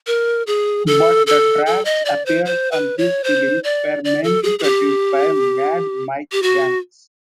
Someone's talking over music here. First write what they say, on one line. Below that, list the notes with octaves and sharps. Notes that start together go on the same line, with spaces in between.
But the tracks appeared on this release were mainly produced by "Mad" Mike Banks.
A#4
G#4
A4
A4
A4
D#5
D5
C5
C5
B4
C#5
C5
D5
D5
A4
G#4
G#4
G4
G4
F#4